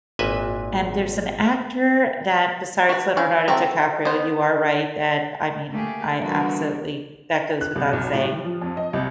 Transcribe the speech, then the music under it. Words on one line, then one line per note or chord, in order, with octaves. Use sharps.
and there's an actor that besides Leonardo DiCaprio,- you are right that I mean, I absolutely that goes without saying.
G#1 A#2 B4 D#5 E5 G#5
F#4 B4
C#4 E4 F5
C4 F#4 A4 E5 A#5
B3 C5
A3 A#3 G4 G#4
D3 E3 G3 B3 F#4 A#4
F#6
C2
B1
A2
G3
F3
F2
D#5
C2